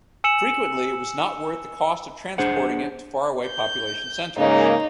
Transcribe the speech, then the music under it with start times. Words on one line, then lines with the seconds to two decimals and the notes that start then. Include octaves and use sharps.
Frequently it was not worth the cost of transporting it to far-away population centers.
0.24 G#5 E6 C#7 E7 F#7
2.38 D4 G#4 C5 F#5
3.48 G6
4.37 G#2 C#3 A#3 D#4